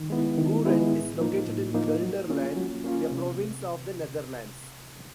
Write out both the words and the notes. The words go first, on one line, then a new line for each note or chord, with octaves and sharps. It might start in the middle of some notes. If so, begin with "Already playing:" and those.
Buren is located in Gelderland, a province of the Netherlands.
Already playing: D#3
G#3 B3 E4
D#3
G#3 B3 E4
A2
F3 A#3 D#4
A2
F3 A#3 D#4
F#3
A#3 C#4 F4
F#3
A#3 C#4 F4
C3